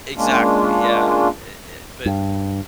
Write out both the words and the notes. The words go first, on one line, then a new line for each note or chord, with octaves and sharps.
Exactly, yeah. It it but
G#3 A#3 C#4 D4 F4
G2